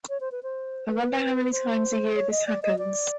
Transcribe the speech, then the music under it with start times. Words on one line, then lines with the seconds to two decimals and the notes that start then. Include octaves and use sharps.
I wonder how many times a year this happens.
0.09 C#5
0.20 C5
0.32 B4
0.43 C5
0.88 B4
1.52 C5
2.15 C#5
2.31 D#5
2.47 D5
2.62 D#5
2.78 D5